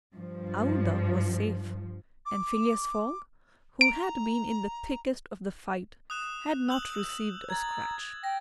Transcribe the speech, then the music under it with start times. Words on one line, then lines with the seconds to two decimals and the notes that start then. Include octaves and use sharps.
Aouda was safe; and Phileas Fogg, who had been in the thickest of the fight, had not received a scratch.
0.15 G2 F3
2.25 D6
3.81 A#5 D7
6.10 D#6 F#6 E7
6.69 E6 G6 F#7
7.50 A#5 G#6 A6
8.24 G5 A#6